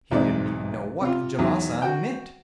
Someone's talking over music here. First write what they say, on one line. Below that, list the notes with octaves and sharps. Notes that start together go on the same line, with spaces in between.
He didn't even know what Javasan meant.
B1 E2 G#2 C4 D5
C3 F4
E2 D#3 F#3
F#4 G5